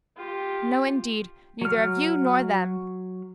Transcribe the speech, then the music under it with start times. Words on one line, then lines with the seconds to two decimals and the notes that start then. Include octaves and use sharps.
No, indeed, neither of you nor them.
0.17 F4 G4
1.61 F#3 F6